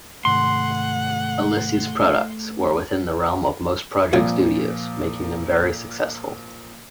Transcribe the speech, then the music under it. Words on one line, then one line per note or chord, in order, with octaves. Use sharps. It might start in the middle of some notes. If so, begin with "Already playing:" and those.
Alesis' products were within the realm of most project studios, making them very successful.
G#2 C3 D#3 A3 F#5 C6
C2 A#2 F3 F4 F5